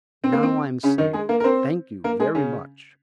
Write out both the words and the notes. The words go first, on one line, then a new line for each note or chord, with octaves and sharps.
'Now I'm safe; thank you very much.
C4
A#3
C4
C#3 C#4
D#3 D#4
G#3 G#4
A#3 A#4
A#4
C4 C5
A#3 A#4
G#3 G#4
C#3 C#4